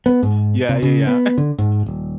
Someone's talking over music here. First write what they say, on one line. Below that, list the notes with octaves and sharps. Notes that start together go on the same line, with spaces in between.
Yeah, yeah,
B3
G#2
C3
C#3
B3
D3
G#2
D#1